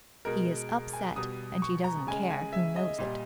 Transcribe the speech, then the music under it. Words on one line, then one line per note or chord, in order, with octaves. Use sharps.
He is upset, and he doesn't care who knows it.
B2 G#3 A#4
G#5
B2 G3 D#6
C#6
A#5
C#3 G#3 G#5
G#5
E5
D#5
A#2 G3